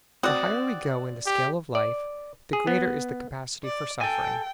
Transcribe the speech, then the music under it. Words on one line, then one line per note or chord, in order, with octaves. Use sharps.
The higher we go in the scale of life, the greater is the capacity for suffering.
C4 F#4 D5 D#6
G4
D5
G#4
B3
D5
A4 G5 G#5